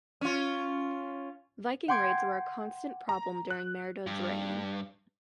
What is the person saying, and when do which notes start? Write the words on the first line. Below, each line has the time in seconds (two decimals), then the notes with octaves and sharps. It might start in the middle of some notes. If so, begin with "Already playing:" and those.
Viking raids were a constant problem during Maredudd's reign.
0.21 C#4 F4
1.88 F#5 G5 C6 D6 G#6 D7
3.09 A#5
3.50 F#6
4.07 G2